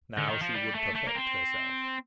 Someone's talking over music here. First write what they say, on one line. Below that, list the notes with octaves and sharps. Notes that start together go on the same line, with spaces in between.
Now she would perfect herself.
D3
D#3
F3
G3
A3
A3
A#3
C4